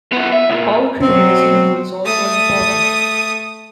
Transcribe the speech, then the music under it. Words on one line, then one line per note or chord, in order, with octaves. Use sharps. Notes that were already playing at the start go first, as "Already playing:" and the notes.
Poultry raising was also important.
F#2 B3
E5
C#2 A#2
B2 F#3 C4
A3 D#6